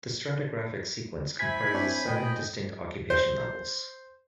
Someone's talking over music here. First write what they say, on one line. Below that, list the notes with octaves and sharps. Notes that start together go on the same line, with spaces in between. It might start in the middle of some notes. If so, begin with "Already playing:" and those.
The stratigraphic sequence comprises seven distinct occupation levels.
E4 C5 G#5 B5 G#6 B6
C4 D4 C#5
A2 D#5 G5
C5